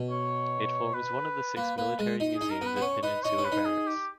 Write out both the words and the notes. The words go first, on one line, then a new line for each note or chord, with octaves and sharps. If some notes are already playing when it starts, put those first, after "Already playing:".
It forms one of the six military museums at Peninsular Barracks.
Already playing: B2
C#5
B4
A#3 B4
A#3 B4
G#3
D#4
G#4
D#4
A#4
B3
B4
B3
C#4 C#5
D#4 B4
D#4 C#5
C#4
B4
D#4
G#4
G4